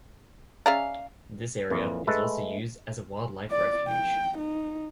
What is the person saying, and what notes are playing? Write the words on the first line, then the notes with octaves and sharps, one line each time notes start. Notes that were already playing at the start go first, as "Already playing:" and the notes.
This area is also used as a wildlife refuge.
C#4 G#4 D5 E5 F5 A#5
F2 A#2 E3
G#3 A3 A4 B4
D5
G5
D#4